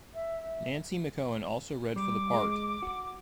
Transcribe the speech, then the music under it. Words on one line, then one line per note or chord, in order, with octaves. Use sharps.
Nancy McKeon also read for the part.
E5
G3 D6
G#3
F#4